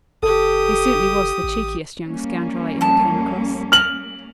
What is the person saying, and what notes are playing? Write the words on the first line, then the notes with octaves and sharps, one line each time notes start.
He certainly was the cheekiest young scoundrel I ever came across.
F#1 G4 A4 D#6
A1
G3 A#3 C#4
F2 A5
F6 F#7